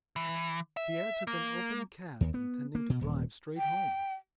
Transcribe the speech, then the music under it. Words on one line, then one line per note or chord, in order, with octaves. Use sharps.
Pierre took an open cab intending to drive straight home.
E3
E5
A#3
D#2
B3
A#3
B2
D#1
G5